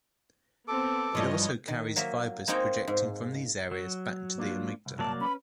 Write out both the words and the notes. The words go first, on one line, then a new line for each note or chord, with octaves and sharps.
It also carries fibers projecting from these areas back to the amygdala.
B3 C4 A4 D6
G2 E3 F3 C#5 D#5
D#3
F#3 A#3 E5
A#3 C4 D#4 C#5 G5 A#5
G#2
F#3
A#3 D4 F4
C2
F#3 A#3 D5 A5
C#4 B4 B5